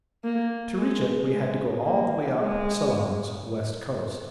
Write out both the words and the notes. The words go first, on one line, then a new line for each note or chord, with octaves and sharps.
To reach it we had to go all the way up Ceylon's west coast.
A#3
G#3
G#3
A#3
G#3